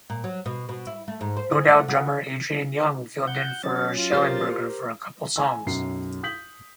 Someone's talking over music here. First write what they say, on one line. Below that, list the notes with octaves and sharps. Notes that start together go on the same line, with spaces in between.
No Doubt drummer Adrian Young filled in for Shellenberger for a couple songs.
A#2
F#3
B2
B2
E4
A3
G#2
C5
G#4
A3
F#4
F#5 G6
F#3 C#4 F#4 A6
F4
G4 A#4 C5
G#5 E6
B1 F#2 C7
D#6 G6 B6 F#7